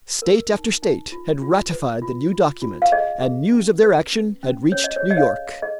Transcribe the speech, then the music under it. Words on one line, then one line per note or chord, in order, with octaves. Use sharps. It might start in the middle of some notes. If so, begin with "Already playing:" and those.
State after state had ratified the new document, and news of their action had reached New York.
A#4
D#4
D#4
F4
F4
B4
F4
F4
F4
F5
G#4 D#5
G#4
C#4
B4
C#4
C#4
C#4 C#5
D#5
C#5
G#4
D#5
C#5 F5
G#4
G#4 D#5